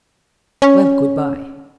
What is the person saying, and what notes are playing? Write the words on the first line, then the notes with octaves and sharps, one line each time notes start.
Well, good-by.
C#4